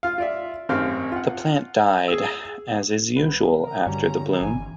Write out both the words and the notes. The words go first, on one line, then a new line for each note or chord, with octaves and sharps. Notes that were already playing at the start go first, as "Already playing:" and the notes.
The plant died as is usual after the bloom.
F4 F5
F4 D5 E5
G#1 F#2 C4 G4 F5
F4 F#5
G#4 E6
C2 B4 F#5
A#4 A#5
G2 D3 G3 C#4 F#4 A#5
G1 E3 G#5